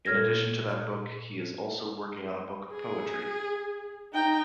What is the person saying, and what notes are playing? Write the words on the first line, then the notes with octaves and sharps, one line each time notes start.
In addition to that book, he is also working on a book of poetry.
A#2 A4 C#5 F6 G#6 A#6
G#4
D#4 G5